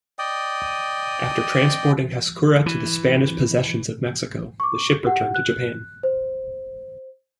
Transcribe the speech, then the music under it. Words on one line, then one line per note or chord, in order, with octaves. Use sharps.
After transporting Hasekura to the Spanish possessions of Mexico, the ship returned to Japan.
D5 D#5 G5 D#6
E3
C#6 D6
G4 F#5
F#6
C5